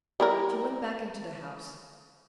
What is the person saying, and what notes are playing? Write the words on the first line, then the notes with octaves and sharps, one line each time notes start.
She went back into the house.
G3 E4 A#4